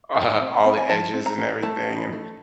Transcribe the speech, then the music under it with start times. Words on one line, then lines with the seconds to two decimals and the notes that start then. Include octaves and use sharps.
uh, all the edges and everything, and
0.15 D#3
0.40 C4
0.65 C4
0.78 G#5
0.89 F3 A5
1.13 C4
1.26 A#5
1.38 A3
1.63 A3 A5
1.88 D#4
2.12 A3